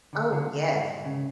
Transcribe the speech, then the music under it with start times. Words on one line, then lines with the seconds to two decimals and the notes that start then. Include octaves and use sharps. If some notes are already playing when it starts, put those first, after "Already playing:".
Oh, yes.
0.13 D3
0.33 D3
0.74 G#2
1.05 C#3